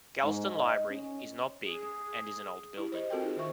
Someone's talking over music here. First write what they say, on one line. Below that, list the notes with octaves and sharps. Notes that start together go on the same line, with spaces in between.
Galston Library is not big and is an old building.
G#2
D#5
C#4
G#4
E4 G4
C5 D#5
C4 F4 F#4 A4 A#4 G5
D#4 F#4 G#4
D#3 C5 E5 C#6